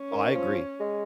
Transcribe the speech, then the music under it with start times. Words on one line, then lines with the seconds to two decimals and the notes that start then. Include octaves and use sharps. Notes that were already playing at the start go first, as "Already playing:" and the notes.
Oh, I agree.
Already playing: C#4
0.11 D#3
0.35 F3
0.80 G#3